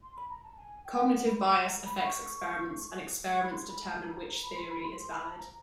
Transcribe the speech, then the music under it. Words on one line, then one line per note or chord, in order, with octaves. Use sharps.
Cognitive bias affects experiments, and experiments determine which theory is valid.
C6
B5
A#5
A5
G#5
G5
F#5
B5
C6
C6
A#5
B5
C#6
C#6
B5
C6
B5
A#5
A5
B5
A#5
A#5
B5
C6
B5
C6
C6
B5
A5
A#5